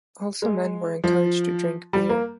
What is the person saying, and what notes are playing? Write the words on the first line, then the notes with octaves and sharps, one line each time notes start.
Also men were encouraged to drink beer.
G#3
F3
G3
A#3